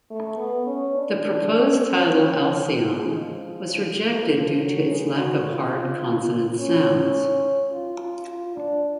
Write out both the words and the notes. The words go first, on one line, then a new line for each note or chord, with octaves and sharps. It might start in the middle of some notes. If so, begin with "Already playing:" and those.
The proposed title "Alcion" was rejected due to its lack of hard consonant sounds.
A3
B3
C#4
D4
C#4
G#3
F3
F3
F3
F#3
G#3
F#4
F4
C#4
C#4
F4
F4
F4
D4